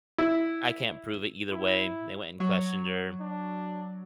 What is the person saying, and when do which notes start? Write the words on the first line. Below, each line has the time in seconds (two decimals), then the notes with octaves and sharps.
I can't prove it either way, they went and questioned her.
0.18 E4
1.51 E4
2.40 F#3 C#5
3.20 D4